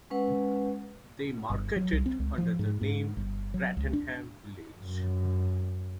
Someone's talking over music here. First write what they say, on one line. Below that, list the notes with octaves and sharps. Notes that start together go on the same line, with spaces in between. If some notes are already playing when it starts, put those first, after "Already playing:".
They market it under the name Bradenham Village.
G#3 C#4 B4 F#5
G1
F#3
C2
C4
C#2
F3
G#2
G#2
G1
F#3
C#2
D4
F#2